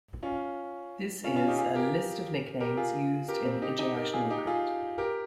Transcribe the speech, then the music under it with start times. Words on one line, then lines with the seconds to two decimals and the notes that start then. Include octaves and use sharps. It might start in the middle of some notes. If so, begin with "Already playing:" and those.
This is a List of nicknames used in international cricket.
0.23 C#4 F4
1.24 C#4 F4
1.36 C#4 F4
1.47 D#4 G4
1.58 F4 G#4
1.75 G4 A#4
2.60 G4 A#4
2.77 F4 G#4
3.28 G4 A#4
3.45 C4
3.62 D#4 G4
3.79 D#4 G4
3.96 G4 A#4
4.13 F4 G#4
4.30 D#4 G4
4.47 F4 G#4
4.98 G4 A#4